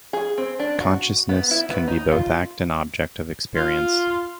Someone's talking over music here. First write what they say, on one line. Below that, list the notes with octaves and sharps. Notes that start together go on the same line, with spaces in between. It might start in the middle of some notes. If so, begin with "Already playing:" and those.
Consciousness can be both act and object of experience.
G#4
C4
D4
F#4
B3
E4
B3
D#4
F4
F4